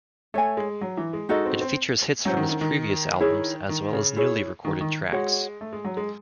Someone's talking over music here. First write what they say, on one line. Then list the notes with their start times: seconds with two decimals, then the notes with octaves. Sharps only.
It features hits from his previous albums, as well as newly recorded tracks.
0.34 A3 A4 C#5 G#5
0.57 G#3
0.81 F#3
0.97 E3
1.13 G#3
1.29 G#3 D#4 F#4 A4 D#5
1.46 C4
1.61 C4
2.25 F#3 C#4 E4 C5 F#5
2.37 D#3
2.49 D#3
2.61 D#3
3.20 E4 G#4 C#5
3.69 D#3
3.93 C#3
4.16 E4 G#4 C#5
4.65 D#3
4.81 D#3
5.12 G#3 F#4 C#5 F#5
5.61 A3
5.73 G#3
5.84 F#3
5.97 G#3